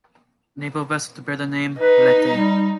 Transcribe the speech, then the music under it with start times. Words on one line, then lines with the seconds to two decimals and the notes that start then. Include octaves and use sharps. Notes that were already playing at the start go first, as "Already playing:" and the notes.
Naval vessel to bear the name "Leyte".
1.78 D#4 B4
2.31 G3